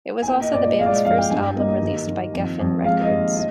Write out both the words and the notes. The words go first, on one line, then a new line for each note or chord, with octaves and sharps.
It was also the band's first album released by Geffen Records.
G#5
A#3 G5
D#5
A#2 D5
D#5
G#3 F5
D5
D#5
F2 F5
G5
G2 G#5
G5
A#3 D#5
D#5
D#2 D#5
D#3
F2
F2
G#3 F5
D#5
D#2
D#5